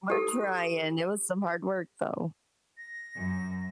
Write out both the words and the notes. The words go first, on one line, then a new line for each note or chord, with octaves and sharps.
We're trying. It was some hard work, though.
G4 A4
A#6
F#2